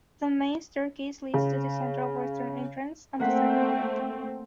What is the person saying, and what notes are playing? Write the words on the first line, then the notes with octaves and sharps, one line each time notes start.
The main staircase leads to the central western entrance on the second floor.
C#3
A3 A#3 C4 F#5 B6